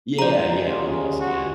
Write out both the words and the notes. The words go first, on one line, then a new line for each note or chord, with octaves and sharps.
Yeah, yeah, almost, yeah.
F3 G#3 G4 D5 A#5
G#3 C#4 F4 G4 G#4
F#4 G5 C6